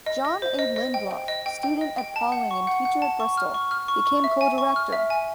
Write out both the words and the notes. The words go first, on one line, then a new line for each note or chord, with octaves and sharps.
John A. Lindlof, student at Pawling and teacher at Bristol, became Co-Director.
D#5
D#5
C5
D#5
D#5
G5
G5
D#5
G5
G5
D#5
G5
A5
F#5
C#6
F#5
F#5
A5
C#6
F6
C#6
F6
C#6
C#6
E5
G#5
C#6
F6
E5
G#5